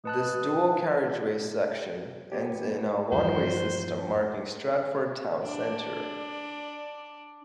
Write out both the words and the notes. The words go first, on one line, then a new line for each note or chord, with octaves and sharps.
This dual carriageway section ends in a one-way system marking Stratford town centre.
B4 D#5 A5 F#6
B3 G4
E2 G2 F3 G3 C5
D4 D5